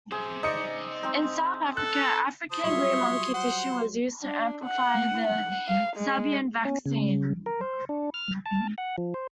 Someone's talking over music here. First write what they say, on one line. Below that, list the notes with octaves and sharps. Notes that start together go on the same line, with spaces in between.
In South Africa, African green monkey tissue was used to amplify the Sabin vaccine.
G#4 C5 E5
D#4 D5 D#5 C#7
C4 D#4
A4 F#6
F3 C5 A5 D#6
F#3 G3 F4 C#5 E5 C6 C#6
C5 F#5 C6
D4
F#5
F#5
F5
G#3
C#4
C#3
A#4
C5
D4
F6
A5
F#5
F3
C5